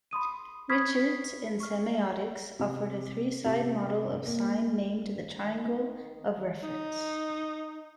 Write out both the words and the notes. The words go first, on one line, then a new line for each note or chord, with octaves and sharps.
Richards in semiotics, offered a three-side model of sign named the triangle of reference.
B5 C6 D#6 D#7
B5 C#6 D#6 F6 G#6 B6
C#6 F6
C3
C3
A#3
D#3
D#4